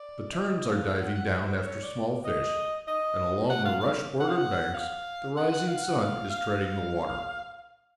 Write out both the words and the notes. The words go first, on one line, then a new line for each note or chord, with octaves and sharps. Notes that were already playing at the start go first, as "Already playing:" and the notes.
The terns are diving down after small fish, and along the rush-bordered banks the rising sun is treading the water.
Already playing: D5
E5
D#5
F5
F#5
F#5
E5
C5
C#5
D5
D#5
D#5
F#5
F5
F5
F#5
F5
F#5
F5
F#5
F#5
F5
F#5
F5
F5